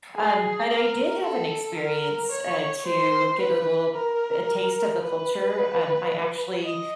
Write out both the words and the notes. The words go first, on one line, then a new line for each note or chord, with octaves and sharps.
Um, but I did have an experience, uh, to get a little a taste of the culture. Um, I actually
G#4
A#4
A4
A#4
C#5
C5
B4
A#4
B4
D#5